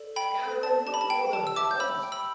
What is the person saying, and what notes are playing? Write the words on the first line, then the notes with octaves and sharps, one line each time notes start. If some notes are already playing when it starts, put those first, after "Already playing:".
Scatter and look for them, dogs!
Already playing: A4 D5
G5 B5
A4
D5 A5
G4 A5
B5
A5
G5
G4 A5
E6
E5 A5 D6
G6
G4 B5 E6
G5
B5 E6